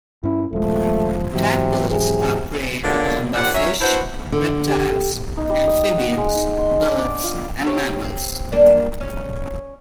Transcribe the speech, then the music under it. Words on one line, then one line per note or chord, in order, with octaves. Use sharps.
Tadpoles are preyed upon by fish, reptiles, amphibians, birds, and mammals.
G2 C#4 E4
D#1 F3 G#3 A3
G#2 C3 E3 F#3
C3 G#4
A#2 D3 F#3 G#3 A#3 D4
D#2 F3 G3 F#5
F#3 C#4 C#5 E5
D4 E4 F#4 B4 C5
D3
G4
D#4
G3
D#6
F#5
G#3
D#4
C6
D4
D5
F4
G4 C5 C#5
C4
G3 A#3 D4
C#4